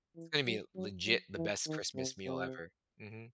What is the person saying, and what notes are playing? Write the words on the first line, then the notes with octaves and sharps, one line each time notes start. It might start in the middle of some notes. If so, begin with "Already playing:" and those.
It's gonna be legit the best Christmas meal ever. Mhm.
E3
F#3
F#3
F#3
E3
D#3
C3
C3